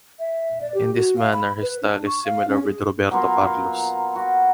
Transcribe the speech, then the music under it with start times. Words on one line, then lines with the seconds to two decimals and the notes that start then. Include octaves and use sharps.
In this manner his style is similar with Roberto Carlos.
0.19 E5
0.61 D5
0.74 G4
0.95 F#4
1.17 F5
1.33 B5
1.62 B4
1.82 D4
2.06 C#6
2.25 F5
2.48 C#4
2.63 G#4
3.11 F#3 A#3 B3 F4
4.16 F#4